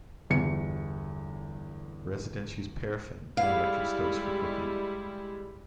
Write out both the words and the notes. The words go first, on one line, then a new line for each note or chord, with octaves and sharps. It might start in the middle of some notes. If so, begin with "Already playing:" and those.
Residents use paraffin and electric stoves for cooking.
G1 E2 C#7
G3 G#3 E4 F5